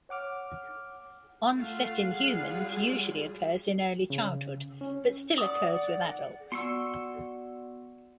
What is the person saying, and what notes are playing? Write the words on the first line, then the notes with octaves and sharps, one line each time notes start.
Onset in humans usually occurs in early childhood, but still occurs with adults.
C#5 F#5 D6 F6
A3 F4 F5 F#5
G3 F4 G#4
C#3
C#4
D5 F#5 D#6
B3 F#4 D5 F#5 C6 C#6 E6